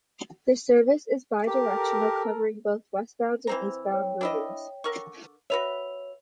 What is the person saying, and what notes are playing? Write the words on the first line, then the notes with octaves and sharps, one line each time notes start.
This service is bi-directional, covering both westbound and eastbound routings.
G4 A4 A#4
E3 C4 C5 A#5
C#5 G5
D4 E4 D#5
D3 A#4 C#6
F#4 B4 C#5 E5 F7